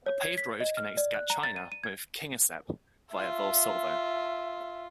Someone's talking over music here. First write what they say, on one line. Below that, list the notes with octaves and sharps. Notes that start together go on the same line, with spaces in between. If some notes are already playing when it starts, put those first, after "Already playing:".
A paved road connects Gatchina with Kingisepp via Volosovo.
C#5
G#6
B6
D#5
F6
D5
F#6
A#5
A6
D#7
D#7
G#6
F4 E5